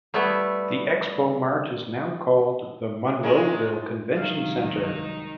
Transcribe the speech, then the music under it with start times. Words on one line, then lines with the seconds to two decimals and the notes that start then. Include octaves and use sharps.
The ExpoMart is now called the Monroeville Convention Center.
0.14 G3 A3 B3 E4
3.23 F#3 G#3 D4 E4 F4 G#4 A#4
4.16 C2 G#2 D#3 F#3 F5
4.82 D#4